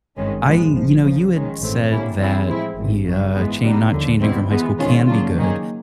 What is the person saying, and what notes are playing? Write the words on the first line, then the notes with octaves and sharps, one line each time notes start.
I you know, you had said that y uh, chan not changing from high school can be good,
G#1 G2 D#3 G#3 C#4
A#1 A#2 F3 G#3 B3
G#1 G#2 F3
D2 C#3 F3
D#3 G#3 C#4
A1 G2 E3 A3 C4
D3 G3 A#3 C#4 E4
E3 G3 C4 E4 G#4
A2 F3 G#3 C4 E4
G#1 G2 E3
F#2 C#3 F#3
G#2 E3 G#3 B3
F#2 D3 G3 B3 D#4
D#2 D3 F3
B2 G3 C4 E4
E3 G#3 B3
C3 D#3 G#3 C#4 F4
C#3 F#3 A#3 D4 F4
D#3 F#3 A#3 D#4 G#4